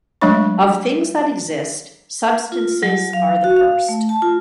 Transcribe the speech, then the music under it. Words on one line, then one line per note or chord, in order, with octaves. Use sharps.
Of things that exist, substances are the first.
F#3 G#3 A3 D4 C#5 C#6
F4
F#3
F5
F#4
F5
A3
A5
F4